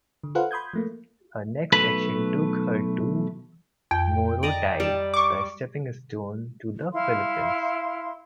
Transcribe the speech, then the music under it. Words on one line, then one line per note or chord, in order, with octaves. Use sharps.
Her next action took her to Morotai, the stepping stone to the Philippines.
D3
F4 A4 B4 C5 F5 F#5
B5 C6 D#6 G6 G#6
F3 A3 A#3
B1 A3 B4 B5
F2 G5
D5 D#5 A#5
G3 A5
C#6 D6
E4 F5 C6